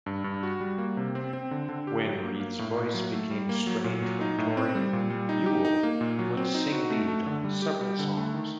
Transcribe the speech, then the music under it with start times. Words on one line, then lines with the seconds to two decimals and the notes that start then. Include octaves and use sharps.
When Reed's voice became strained from touring, Yule would sing lead on several songs.
0.06 G2
0.24 G2
0.43 F#4
0.60 G3
0.78 A#3
0.97 C3
1.15 C4
1.33 C4
1.51 D3
1.69 D3
1.87 G4
2.05 F#3
2.23 A#3
2.40 A#3
2.59 A2
2.77 A#3
2.94 F#3
3.12 A3
3.31 G3
3.49 A#3
3.67 F#3
3.84 A#2
4.02 F#3
4.21 D#4
4.38 A2
4.57 C4
4.75 G3
4.93 A#2
5.10 G3
5.29 D#4
5.46 G4
5.65 D#4
5.83 A#3
6.01 A#2
6.19 F#3
6.37 C4
6.54 D#4
6.72 F#4
6.90 A3
7.08 A3
7.26 D3
7.44 G3
7.62 G4
7.81 G3
7.99 D3
8.17 A3
8.34 D#3